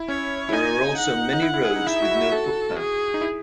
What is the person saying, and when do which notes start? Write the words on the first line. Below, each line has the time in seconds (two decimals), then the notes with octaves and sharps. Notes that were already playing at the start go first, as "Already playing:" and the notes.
There are also many roads with no footpath.
Already playing: E4
0.08 C#4 C#5
0.49 E4
0.53 D#4 G#5
0.98 F#5
1.33 D#4
1.42 E4
1.54 E4
1.64 G#4
1.76 D#4
1.87 E4 E5
1.96 G#4
2.02 F#4
2.11 E4
2.17 F#4
2.32 A4
2.76 G#4
3.14 D#4
3.21 E4